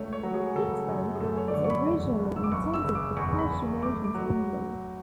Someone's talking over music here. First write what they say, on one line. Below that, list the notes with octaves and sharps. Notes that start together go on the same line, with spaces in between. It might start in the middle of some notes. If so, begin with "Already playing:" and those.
Gift Aid was originally intended for cash donations only.
Already playing: C#2 A3 C#5
C#5
F#3
G#4
C#3 A4
F#2
G#4
A3 A4
C#5
D5
D3 C#5
C#6
B5
E2
F#1
E6
D6
F#1 C#6
E6
C#3
D6
E2 C#6
B5
F#1
A3 D6
D6
F#3